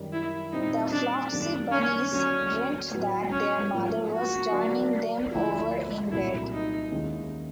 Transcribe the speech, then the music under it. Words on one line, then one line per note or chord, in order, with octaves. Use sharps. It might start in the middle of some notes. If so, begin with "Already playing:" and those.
The Flopsy Bunnies dreamt that their mother was turning them over in bed.
Already playing: F#2 D#3 G3
E4
A#2 G3 C4 D#4 E4
D4
F#2 D#3 G3 A#3 D4 D#4
C#4
D2 D3 F#3 A#3 C#4 D4
A2 F#3 B3
C#4
G#2 F3 A#3
F#4
D3 F#3 A#3 D4
D2 D3 F3 E4
C2 A#2 F#3 E4
D#4
D#2 D#3 G#3 C#4 E4